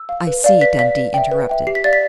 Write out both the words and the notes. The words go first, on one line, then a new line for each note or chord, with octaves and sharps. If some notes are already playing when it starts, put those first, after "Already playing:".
"I see," Dundee interrupted.
Already playing: E6
F5
B4
D5 F5
B4 B6
D5 F5 B6
B4
E5 G5
B4
E5 G5
G4 C7
B6
D5 F5 A6
B6